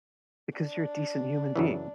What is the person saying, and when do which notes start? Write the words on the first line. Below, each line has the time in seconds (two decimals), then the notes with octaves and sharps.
Because you're a decent human being.
0.58 D4
1.56 F#2 C#3 E3